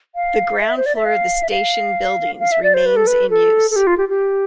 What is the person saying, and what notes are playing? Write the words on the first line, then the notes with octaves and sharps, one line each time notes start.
The ground floor of the station buildings remains in use.
F5
E5
C5
D5
E5
F5
E5
F5
F5
E5
D5
C5
B4
A4
B4
A4
A4
G4
F4
G4
G4